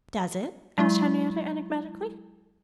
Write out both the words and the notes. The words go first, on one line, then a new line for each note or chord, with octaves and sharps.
"Does it?" asked Henriette, enigmatically.
F#3 G#3 E4